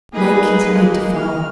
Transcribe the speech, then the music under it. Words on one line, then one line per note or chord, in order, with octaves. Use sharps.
Night continued to fall.
A#3 D#4 G#4 B4 D#5
G#3
F6